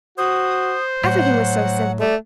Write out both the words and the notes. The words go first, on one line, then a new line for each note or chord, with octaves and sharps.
Everything was so simple.
F#4 C5 D#6
A2 F#3 F#5
A3 D5